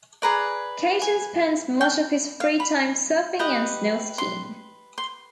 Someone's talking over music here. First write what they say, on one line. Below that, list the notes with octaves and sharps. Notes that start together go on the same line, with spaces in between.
Caton spends much of his free time surfing and snow skiing.
G#4 B4 D5 A#5
G#5
G5
F5
B5
G4 B4 D#5
C6
C6